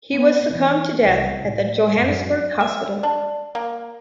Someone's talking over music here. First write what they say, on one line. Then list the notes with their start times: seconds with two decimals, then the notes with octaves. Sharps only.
He was succumb to death at the Johannesburg hospital.
0.12 B3
0.53 E3
1.05 C2
1.45 A2
1.98 F#2
2.61 E5
3.03 D4
3.55 A#3